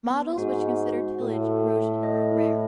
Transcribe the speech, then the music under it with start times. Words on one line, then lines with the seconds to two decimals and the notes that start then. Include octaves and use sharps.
Models which consider tillage erosion are rare.
0.10 B3
0.38 G#2 F#4
0.66 F#4
0.93 F#4
1.21 A2 A4
1.49 A4
1.76 A4
2.03 D#5
2.31 E4